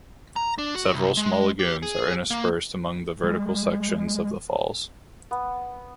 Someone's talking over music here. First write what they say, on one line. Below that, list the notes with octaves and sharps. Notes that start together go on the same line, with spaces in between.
Several small lagoons are interspersed among the vertical sections of the falls.
A#5
D4
F#4
C2
G#3
G4
G#4
A#3
G3 G#3
B3